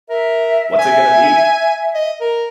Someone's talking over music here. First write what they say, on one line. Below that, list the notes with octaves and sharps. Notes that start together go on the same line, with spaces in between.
What's It Gonna Be?!
A#4 E5
G#5
D#5
A#4